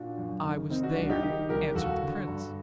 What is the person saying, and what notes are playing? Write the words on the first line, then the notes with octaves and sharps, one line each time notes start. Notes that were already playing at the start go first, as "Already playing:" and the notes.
'I was there,' answered the prince.
Already playing: A#2 D4 F#4
F#2
D#3
D#3 C4 D#4
D4 F#4
C2 D4 F#4
D#4 G4
D#3 D#4 G4
C2 G4 A#4
D#2 F#4 A4
D3
G2